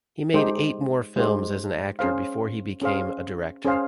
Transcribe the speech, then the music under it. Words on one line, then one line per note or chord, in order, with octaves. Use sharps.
He made eight more films as an actor before he became a director.
G#3 D#4 G4 C5
G#3 D#4 G4 C5
C#4 G#4 C5 F5
C#4 G#4 C5 F5
C#4 G#4 C5 F5